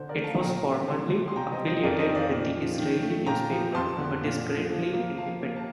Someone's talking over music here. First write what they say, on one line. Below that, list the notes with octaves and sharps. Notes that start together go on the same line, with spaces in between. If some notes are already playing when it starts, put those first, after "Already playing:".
It was formerly affiliated with the Israeli newspaper, but is currently independent.
Already playing: D3 C5
A#4 D5
A3
F5 A5
A#2 G5 A#5
G3
D3 A5 C6
G3
C6
C3 G5 A#5
C5 D#5
G3
C5 D#5
F2 A#4 D5
C5 D#5
D#3
D5 F5
A#2
F3
D#3
A3
A#2 G5 A#5
F3
F2 A5 C6
D3
A#2
F3
F3
A#3
F3 F5 A5
A#3
A5